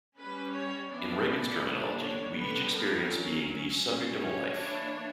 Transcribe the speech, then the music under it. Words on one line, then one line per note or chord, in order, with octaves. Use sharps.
In Regan's terminology, we each experience being the subject-of-a-life.
G3 C#4 B4
C#5
E3 B3 D4 D5
D3 G3 A#3 D4
C#5
D3 G3 B3 B4
A#4
F#3 C#4
G3 C#4
C#5
E3 A#3 D4